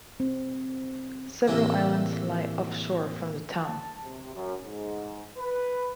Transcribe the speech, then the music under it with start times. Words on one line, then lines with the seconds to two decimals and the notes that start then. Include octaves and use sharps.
Several islands lie offshore from the town.
0.20 C4
1.48 A2 C3 E3 A#3
3.65 A5
4.04 C3
4.34 F#2
4.65 G#2
5.37 B4